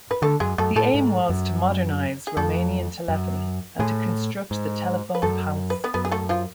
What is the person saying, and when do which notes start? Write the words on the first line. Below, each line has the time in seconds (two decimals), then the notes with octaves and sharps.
The aim was to modernize Romanian telephony and to construct the Telephone Palace.
0.11 B4
0.22 D3 A3 A4
0.40 F#2 G#3 G#4
0.58 F#2 A3 A4
0.76 A2 A3 A4
0.94 G#2
1.29 F#2
2.27 G#4
2.37 F2 A3 A4
3.08 F#2
3.79 A2 G#3 G#4
4.51 G#2
5.15 B4
5.22 F#2 A3 A4
5.70 B4
5.84 B3 B4
5.94 F#2 B3 B4
6.05 G#4
6.11 A3 A4
6.29 F3 F4